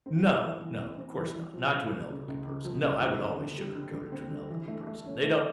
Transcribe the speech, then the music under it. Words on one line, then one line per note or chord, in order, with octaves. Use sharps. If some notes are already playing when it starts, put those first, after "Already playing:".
No, no, of course not, not to an elderly person, no, I would always sugarcoat it to an elderly person. They don't
C4
E3
E3
E3
C4
C4
E3
E3
F3
C#3
C#3
C#3
C#2
C#3
F3
C#2
D3
C4
D3
G3
D3
D3
C4
D3
E3
A3
A3
C#4
A3